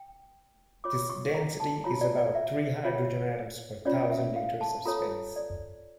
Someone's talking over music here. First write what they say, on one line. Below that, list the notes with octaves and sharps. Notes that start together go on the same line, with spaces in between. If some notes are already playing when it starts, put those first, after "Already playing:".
This density is about three hydrogen atoms per thousand liters of space.
Already playing: G5
F4 C#5 D6
C#6
A#5
A5
F4 C#5 A#5
D5
D5
E5
F4 C#5
C#4 F4 C#5 D5
E5
F5
A5
F4 A4 C#5 A#5
D5